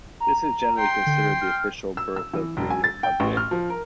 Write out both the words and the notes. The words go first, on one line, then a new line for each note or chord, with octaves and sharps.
This is generally considered the official birth of Radio Kabul.
A#5
G5 C6
D3
F6
E6
E6
E3
E1
G#5
A6
G5
A1
F6
F3
A#4